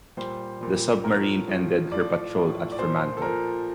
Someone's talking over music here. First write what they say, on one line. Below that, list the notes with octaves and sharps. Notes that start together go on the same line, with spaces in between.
The submarine ended her patrol at Fremantle.
A#2 G3 C5
A#2 G3
A2 F3 A#4
A2 F3
A2 F3 D5
A2 F3
D5
A#2 F3 C5
A4
A#2 F3 A#4